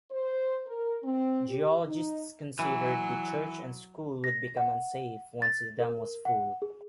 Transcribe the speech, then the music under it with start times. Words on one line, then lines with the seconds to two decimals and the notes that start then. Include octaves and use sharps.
Geologists considered the church and school would become unsafe once the dam was full.
0.11 C5
0.67 A#4
1.04 C4
1.48 G4
1.86 D#4
2.59 E3 F#3
4.24 A#6
4.57 F#5
5.42 A6
5.80 A#4
6.25 F#5
6.62 G#4